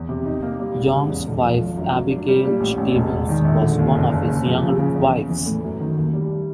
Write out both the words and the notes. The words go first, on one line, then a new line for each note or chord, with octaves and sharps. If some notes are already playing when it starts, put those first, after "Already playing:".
Young's wife Abigail Stevens was one of his younger wives.
Already playing: E2
C3
D#4
A#3
G3
G#2
C#3
E2
B1
F3
G#1
F#2
F#3
D4
G3
A#2
A1
A1
E1
E1
D#3
A#1
D3
D#2
F#1
F#1
C#3
F3
C#3
C#3
E2
E2
E3
A2
F#2
D#3
D#2
G3